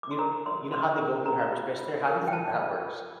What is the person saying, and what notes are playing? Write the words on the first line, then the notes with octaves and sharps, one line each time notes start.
You kno uh, you know how they go through hyperspace there? How do you think that works?
D6
C6
A#4 A#5
F4 C6
F4 C6
A#4
A#4 A#5
F4
F4
A#4
G5
C5 A5
F4
F4